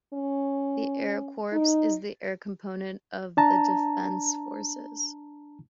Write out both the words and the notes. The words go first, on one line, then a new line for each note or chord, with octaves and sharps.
The Air Corps is the air component of the Defence Forces.
C#4
D#4
D4 A5 A#5